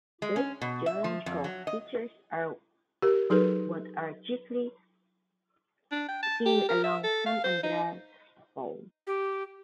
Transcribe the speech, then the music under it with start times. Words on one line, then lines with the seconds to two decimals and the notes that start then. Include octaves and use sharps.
These geological features are what are chiefly seen along San Andreas Fault.
0.22 G#3
0.36 C#4
0.61 B2
0.86 E5
1.04 F3
1.26 F2
1.44 F#3
1.67 D#5
3.02 G4 A#4
3.30 F#3 D#4 G#4 A4 B4
5.92 D4
6.09 G5
6.23 A5
6.46 G4
6.69 A#4
6.84 E5
7.04 A4
7.26 F5
7.44 C5
7.63 D#4
9.07 G4